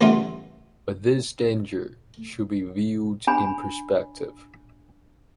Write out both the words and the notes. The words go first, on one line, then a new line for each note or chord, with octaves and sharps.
But this danger should be viewed in perspective.
A1 C#3 G3 B3 F4 E5
D4 G#5 B5